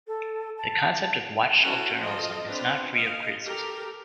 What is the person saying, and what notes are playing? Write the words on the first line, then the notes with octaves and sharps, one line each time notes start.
The concept of watchdog journalism is not free of criticism.
A4
A5
C#4 E4 F#4 A4 F#5 A5
F3 F4 A4 D#5
C4 D4 F4 B4
D#5 F5
G4 A4 A#4